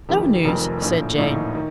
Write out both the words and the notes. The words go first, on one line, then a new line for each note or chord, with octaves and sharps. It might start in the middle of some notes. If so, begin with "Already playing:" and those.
"No news," said Jane.
F1 F2 D#3 G4
F1 F2 D#3 A#4
A#1 A2
A#1 A2 D#4
D#3